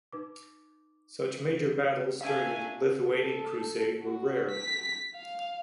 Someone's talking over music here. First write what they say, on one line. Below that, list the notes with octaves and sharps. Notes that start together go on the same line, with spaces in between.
Such major battles during the Lithuanian Crusade were rare.
D#4 B4 D6
C#4 D4 E5 F5 G#5
A4
F#4
B6
F5